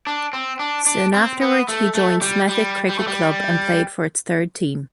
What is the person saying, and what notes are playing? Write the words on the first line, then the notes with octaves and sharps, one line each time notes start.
Soon afterwards, he joined Smethwick Cricket Club and played for its third team.
D4
C4
D4
D4
C4
B3
A3
A3
G3
G3
G3
A3
G3